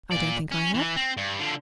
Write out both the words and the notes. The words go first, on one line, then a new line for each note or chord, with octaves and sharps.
I don't think I have.
A#2 D5
C#4
E3
C4
G2
D3 F3